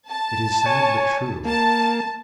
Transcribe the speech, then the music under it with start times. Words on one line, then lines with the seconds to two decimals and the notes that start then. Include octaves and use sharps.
It is sad but true.
0.11 A5
0.66 C#5 G#5
1.45 A#3 A5